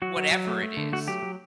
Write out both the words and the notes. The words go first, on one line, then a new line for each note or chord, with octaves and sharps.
whatever it is.
F#3 F#4
F#3
F#3
A3
A3
D3
A3 F#4
F#3 G4
F#3